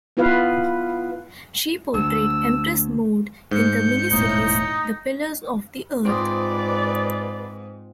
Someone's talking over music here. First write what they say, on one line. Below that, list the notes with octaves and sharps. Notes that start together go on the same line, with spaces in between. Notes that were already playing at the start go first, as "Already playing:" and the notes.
She portrayed Empress Maud in the miniseries "The Pillars of the Earth".
B3 E4 F4 B4 F5
D2 E6
G#2 G6 C#7
E1 A2 D#4
G#2 C4 F4 B4 D5 D#6